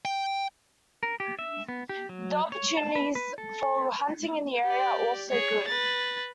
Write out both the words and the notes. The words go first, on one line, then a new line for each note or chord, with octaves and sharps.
The opportunities for hunting in the area are also good.
G5
A#4
G4
E5
B3
G4
F#3
C#5
A5
B4
B4
A4
G4 D5
G#4 C#5
B4 A6